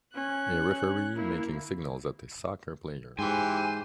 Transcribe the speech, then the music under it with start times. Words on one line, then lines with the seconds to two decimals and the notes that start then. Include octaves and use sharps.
A referee making signals at a soccer player.
0.15 C#4 F#6
1.16 A#3 E4
3.19 G#2 E3 G4 C5 G#5